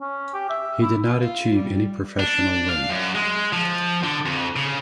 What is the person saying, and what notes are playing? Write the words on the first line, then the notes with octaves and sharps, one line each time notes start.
He did not achieve any professional wins.
C#4
G4
E5
E4
F4
G3
D4
F5
F#2
G#3
F3
D3
F2
C#3